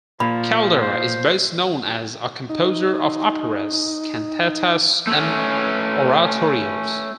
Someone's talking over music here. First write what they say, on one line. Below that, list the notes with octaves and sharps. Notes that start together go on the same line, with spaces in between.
Caldara is best known as a composer of operas, cantatas and oratorios.
A#2 F3 B5
C5
D#4
D#4
A3 C#4